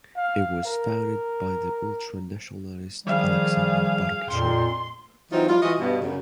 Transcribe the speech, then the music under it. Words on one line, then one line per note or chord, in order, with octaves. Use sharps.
It was founded by the ultra-nationalist Alexander Barkashov.
F5
A#4
D#3 F3 G3 G#4 F5
F2 A#2 C6
E3 F#3 C4 D#4 F4
F3 G3 F4
E3 F4 F#4 D#5
G2 B2
F#2 C#3